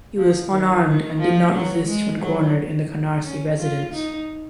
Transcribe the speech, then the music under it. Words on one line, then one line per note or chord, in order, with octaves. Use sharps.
He was unarmed and did not resist when cornered in the Canarsie residence.
F3
D#3
D#3
F3
F#3
G#3
F#3
C#4
F4
D#4